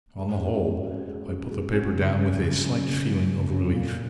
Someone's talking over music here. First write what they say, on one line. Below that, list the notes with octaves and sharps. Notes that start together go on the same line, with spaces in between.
On the whole, I put the paper down with a slight feeling of relief.
G#3
C#4 F#4
G#3
C#4 F#4
G#3
C#4 F#4
G#3
C#4 F#4
C#3
F#3 C#4
C#3
F#3 C#4
C#3
F#3 C#4
C#3
F#3 C#4
A#2